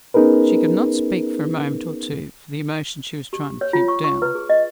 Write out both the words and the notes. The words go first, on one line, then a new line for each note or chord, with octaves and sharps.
She could not speak for a moment or two for the emotion she was trying to keep down.
B3 C#4 D#4 G#4 A#4 B4
G4
C#5
F4
C#6
C#6
B4
G#4
D#5